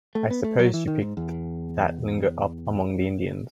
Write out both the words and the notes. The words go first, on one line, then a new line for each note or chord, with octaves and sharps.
I suppose you picked that lingo up among the Indians.
A3
B3
A3
F#3
E3
D#3
G#2
E2